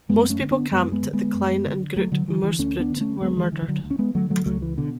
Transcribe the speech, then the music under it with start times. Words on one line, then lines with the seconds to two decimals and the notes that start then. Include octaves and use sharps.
Most people camped at the Klein- and Groot-Moordspruit were murdered.
0.09 F#2 G#3 B3
0.23 B3
0.30 A3 C#4
0.40 D3
0.51 B3 D4
0.71 F#2 G#3 B3
0.92 G#3 B3
1.03 D3
1.13 G#3 B3
1.34 F#2
1.66 D3
1.96 D2 F#3 A3
2.12 D3 F#3
2.28 D3 E3
2.43 E3
2.58 D2 A3 C#4
2.79 B3 D4
2.90 D3
2.96 B3
3.01 A3 C#4
3.21 D2 G#3 B3
3.37 E3 G#3
3.52 D3 E3
3.62 E3
3.68 D3 F#3
3.83 D2
3.91 C#4
3.99 G#3 B3
4.14 D3 F#3 A3
4.30 F#3 A3
4.46 C#2 F#3 A3
4.62 E3
4.77 B2 D3